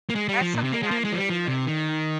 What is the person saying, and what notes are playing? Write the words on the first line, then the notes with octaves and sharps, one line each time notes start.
that's something I'm really learning.
A#3
G#3
G3
F3
A#2
C3
A#3
G#3
A#3
G#3
F3
G3
F3
C3
D#3